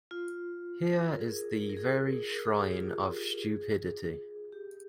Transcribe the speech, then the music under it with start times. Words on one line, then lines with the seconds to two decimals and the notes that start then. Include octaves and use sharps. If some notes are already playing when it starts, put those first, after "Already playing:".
Here is the very shrine of stupidity...
0.11 F4
1.16 A#4
1.21 G#4
1.70 A#4
1.77 G#4
2.32 A#4
2.45 G#4
2.59 G4
2.73 F4
3.42 G#4
4.52 G4